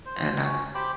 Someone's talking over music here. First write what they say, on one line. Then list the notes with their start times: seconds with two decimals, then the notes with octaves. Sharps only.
and I I
0.06 C5
0.44 C#4 F#4
0.75 G4 C5 B5 D6